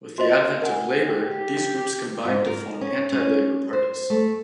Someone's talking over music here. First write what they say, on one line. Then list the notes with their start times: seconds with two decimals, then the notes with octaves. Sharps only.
With the advent of Labor, these groups combined to form anti-Labor parties.
0.18 F#4 C5 D#5
0.62 A#4 F#5 G#5
1.07 G4
2.25 G#2
2.46 A#4
2.81 C#4
3.12 C#4
3.73 C5
4.10 A3